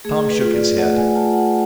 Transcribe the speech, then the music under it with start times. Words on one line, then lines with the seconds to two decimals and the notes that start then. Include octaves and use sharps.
Tom shook his head.
0.05 A3 G#4
0.30 B4
0.42 F4
0.53 D5
0.78 A3 F#5
0.97 G#5
1.15 F4 A5
1.34 F#5